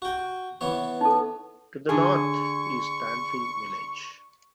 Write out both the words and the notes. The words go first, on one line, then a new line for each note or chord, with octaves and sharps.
To the north is Tanfield village.
F#4 G5
E3 B3 C#5
D#4 A4
D3 G#4 C#6